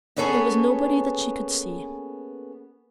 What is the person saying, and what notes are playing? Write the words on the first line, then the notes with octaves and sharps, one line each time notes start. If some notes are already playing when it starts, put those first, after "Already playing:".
There was nobody that she could see.
A#3 B3 C#4 G#4 A4 G#5